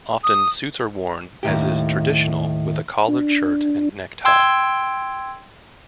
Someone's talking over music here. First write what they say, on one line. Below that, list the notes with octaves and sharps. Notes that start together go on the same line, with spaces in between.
Often, suits are worn, as is traditional, with a collared shirt and necktie.
D#6
D#2 A2 G4
D4
G5 C6 E6 G#6